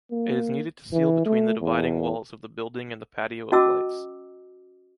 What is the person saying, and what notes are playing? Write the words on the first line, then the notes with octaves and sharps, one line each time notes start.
It is needed to seal between the dividing walls of the building and the patio of lights.
A#3
E3
A3
E2
C#4 F#4 D#5 A5 D6 E6